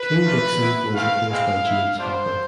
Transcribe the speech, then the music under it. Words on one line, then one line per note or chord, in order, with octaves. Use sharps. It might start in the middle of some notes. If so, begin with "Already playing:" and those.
King Dickson was replaced by James Hopper.
Already playing: B4
A3 D4 F4
B3 E4
A3 C4 E4 F5
G#3 C4 E4 F5
B3 E4
B3 D4 F4 C5